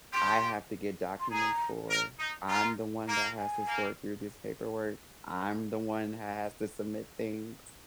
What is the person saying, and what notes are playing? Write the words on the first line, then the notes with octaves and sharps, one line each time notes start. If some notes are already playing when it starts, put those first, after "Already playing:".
I have to get documents for, I'm the one that has to sort through this paperwork, I'm the one who has to submit things?"
G4 C6
C6
G#4 A#5
A#4
D#4
F4 A#5
A#3 A#5
G#5
A#3